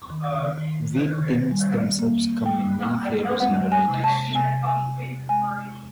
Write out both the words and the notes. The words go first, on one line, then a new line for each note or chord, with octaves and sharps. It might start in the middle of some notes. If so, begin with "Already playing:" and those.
Wheat Thins themselves come in many flavors and varieties.
D#3
D#3
D#3
G3
A#3
G3 G5
A#3
G#3 F#5
G#5
C3
A5
C3 G#5
G#5
C3
G#3 G#5